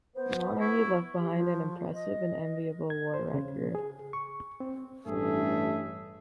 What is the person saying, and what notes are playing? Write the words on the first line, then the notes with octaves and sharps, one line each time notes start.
"Monterey" left behind an impressive and enviable war record.
B3 C5
E4 C#6
G4
F3
D#5
G#6
C5
C#3
G#4
C#6
C4
A1 G2 A3 G#4 E5